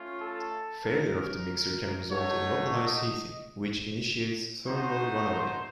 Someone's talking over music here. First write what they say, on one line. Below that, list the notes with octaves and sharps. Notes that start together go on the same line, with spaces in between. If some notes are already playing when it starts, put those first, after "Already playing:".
Failure of the mixer can result in localized heating, which initiates thermal runaway.
Already playing: A3 C#4 F4
A4
A#4
A3 D#4 F#4 C#5
D#5
A3 D#4 F#4 C5